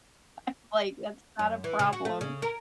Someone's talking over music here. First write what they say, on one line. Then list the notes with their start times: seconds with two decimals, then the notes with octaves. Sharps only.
I'm like, "That's not a problem."
1.39 F#2
1.64 E3
1.79 C#3
1.93 F#4
2.05 A3
2.21 C#3
2.42 A#4